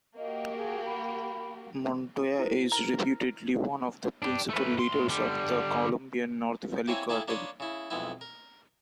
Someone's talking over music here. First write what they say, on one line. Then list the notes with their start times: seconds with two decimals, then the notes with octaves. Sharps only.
Montoya is reputedly one of the principal leaders of the Colombian North Valley cartel.
0.17 A#3 F#4 G4 D#5
0.56 G#4
0.86 B5
2.39 E4 C5
2.72 A#4
4.22 D4 G4
4.49 A3 B4
4.78 A2 C6
5.09 D3 G3
6.88 A#3 C4 E4 C#5 G#5
7.09 A#3 E4 G#4 A4 G5
7.28 A#3 D4 C#5 B5 C6 D#6
7.60 C#3 E4
7.90 B1 F2 G#3 B3 E4
8.21 A#4